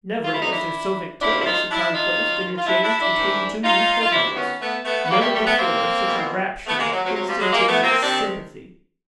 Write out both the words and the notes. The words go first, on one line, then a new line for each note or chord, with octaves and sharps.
Never was there so victorious a conquest interchanged between two youthful hearts-- never before such a rapture of instantaneous sympathy.
F#2 C#3 F3 F4
E4
D#4
D4 E4
D2 C#3 F3 D4 E4
E4
D#4 F4
D4 E4
D#4 F4
F#2 D#3
F4
D4 E4
D4 E4
D4 E4
G#2 D#3
D#4 F4
F4
D2 C3 D#3 D4 E4
B3 C#4
A3 B3
A3 B3
B3
G2 G#3 A#3
E3
G3 A3
G3 A3
A3 B3
A#3 C4
E2 B2
A3 B3
G#3 A#3
F#3
D2 C3 F3 F#3
F#3
F3 G3
F#3 G#3
G#3 A#3
A3 B3
A#3 C4
C3 D#3 C4 D4